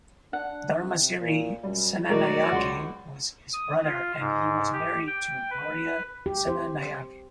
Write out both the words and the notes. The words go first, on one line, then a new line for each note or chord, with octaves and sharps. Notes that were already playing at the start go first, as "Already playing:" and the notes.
Dharmasiri Senanayake was his brother and he was married to Gloria Senanayake.
D4 F#5
C3
A#2
F#2 G3
F#3 G#3 A3 F#4 A#4 D5
C#2 F#5 C6
D#6
F4
G#2
G4
G5
B4
G4
C5